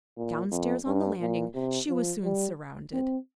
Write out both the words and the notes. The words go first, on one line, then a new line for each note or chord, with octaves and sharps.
Downstairs on the landing she was soon surrounded.
A#2
F2
G2
A#2
C3
F3
G3
C4